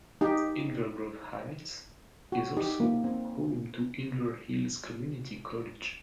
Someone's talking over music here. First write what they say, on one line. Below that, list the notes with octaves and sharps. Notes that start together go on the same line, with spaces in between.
Inver Grove Heights is also home to Inver Hills Community College.
D#4 G4
F#4
D#4 G4
A#3
C4